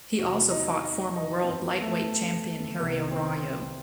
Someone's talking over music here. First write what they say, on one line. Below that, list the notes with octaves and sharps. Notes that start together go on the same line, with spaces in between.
He also fought former World Lightweight Champion Harry Arroyo.
E2 C3 F#3 F#4
D#4
D#4
D#4
C4
F#2 E3 B3
A3
C2 C3 D#3 B3
C4